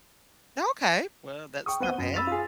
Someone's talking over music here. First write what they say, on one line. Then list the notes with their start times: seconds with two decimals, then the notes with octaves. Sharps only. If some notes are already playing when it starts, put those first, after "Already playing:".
Okay, well, that's not bad
1.66 G5 C#6 D#6
1.80 B3 C4 F#5 D#7 G7
1.98 F#2
2.14 B5 E6 A6 B6 F7
2.27 F4 G#4